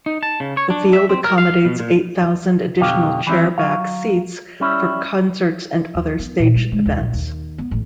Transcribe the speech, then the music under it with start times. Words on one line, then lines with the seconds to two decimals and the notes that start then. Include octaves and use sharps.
The field accommodates eight thousand additional chairback seats for concerts and other stage events.
0.06 D#4
0.23 A5
0.40 C#3
0.57 C#5
0.70 D4
0.93 E5
1.09 C4
1.24 A#4
1.38 F5
1.65 B2
1.80 A#2
2.80 B1 F2 B2 D3 G4 F5
3.27 E3 G3 C4 E4
3.58 F#3 F5
4.60 G3 C#4 E4
5.95 D#2
6.19 B3
6.40 A#2
6.56 G3
6.72 G#3
6.86 D#2
6.99 A#1
7.14 D#2
7.58 B3
7.71 A1